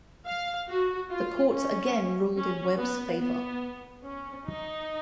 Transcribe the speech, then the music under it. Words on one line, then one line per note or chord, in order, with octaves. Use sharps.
The courts again ruled in Webb's favor.
F5
F#4
F4
C#4
C#4
B3
B3
C#4
D#4